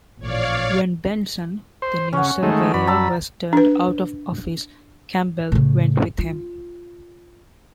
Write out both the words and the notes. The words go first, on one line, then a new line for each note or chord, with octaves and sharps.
When Benson, the new Surveyor was turned out of office, Campbell went with him.
A1 A#2 F3 C#5 D5 F5
C5
C#3 C#4 F#5
D#3 G#3 A3
F#2 D5 B5
A5 A#5 E6
D4 B4
A2 C#3
F4